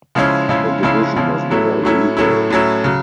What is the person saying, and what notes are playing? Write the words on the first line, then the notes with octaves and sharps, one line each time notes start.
The division was never rebuilt.
C#3 F3 G#3 C#4 E4
C#3 F3 G#3 C#4 E4
C#3 F3 G#3 C#4 E4
C#3 F3 G#3 C#4 E4
A2 F#3 A3 C#4 E4
A2 F#3 A3 C#4 E4
A2 F#3 A3 C#4 E4
A2 F#3 A3 C#4 E4
C#3 F#3